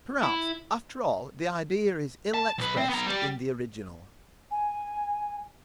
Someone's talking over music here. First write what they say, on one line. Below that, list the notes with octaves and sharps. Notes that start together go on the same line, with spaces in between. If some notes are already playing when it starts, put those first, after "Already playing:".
"Perhaps, after all, the idea is ill-expressed in the original."
E4
A5
B1 B4
C4
B3 A#5
G3 G4
G#5